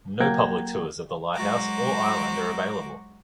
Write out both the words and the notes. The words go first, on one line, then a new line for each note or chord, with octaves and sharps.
No public tours of the lighthouse or island are available.
F#3 A#3 F#5 G5 A#5 G#6
F#3 G#3 F#4 C5 A#5 D6